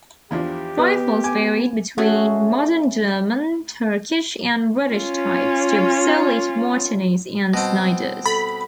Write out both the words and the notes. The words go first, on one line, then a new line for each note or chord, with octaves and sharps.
Rifles varied between modern German, Turkish and British types, to obsolete Martinis and Snyders.
E2 F3 D4 G4
B3 B4 D#5
G#5 D6
A3 C#4 F#4 G#4
C#4 F4
B2 G3 C4 D#5 A5
A4 B5